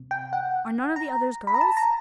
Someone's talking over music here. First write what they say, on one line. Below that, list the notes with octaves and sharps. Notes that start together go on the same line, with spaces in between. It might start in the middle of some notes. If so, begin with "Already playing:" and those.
"Are none of the others girls?"
Already playing: C3
G5
F#5
A#5
B5
A#5
A5
A#5